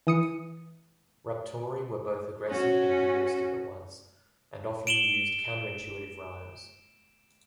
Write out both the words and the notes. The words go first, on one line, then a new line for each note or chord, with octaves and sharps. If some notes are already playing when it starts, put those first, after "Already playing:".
Raptori were both aggressive and humoristic at once, and often used counter-intuitive rhymes.
E3 D#6 C#7
C#4 F#4
D7 E7 F#7 G7